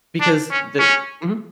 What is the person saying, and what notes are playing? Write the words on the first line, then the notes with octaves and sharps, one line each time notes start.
because the mhm.
D4
C#4
C#4